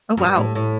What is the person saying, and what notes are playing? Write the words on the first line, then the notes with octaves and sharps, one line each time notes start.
Oh, wow.
F#2
G2
A2
A2